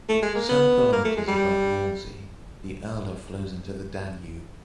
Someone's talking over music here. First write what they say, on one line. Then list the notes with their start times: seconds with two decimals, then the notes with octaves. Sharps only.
Some kilometers above Wallsee, the Erla flows into the Danube.
0.09 A3
0.22 G#3
0.35 A#3
0.49 B3
0.92 A#3
1.04 A3
1.17 G#3
1.28 G3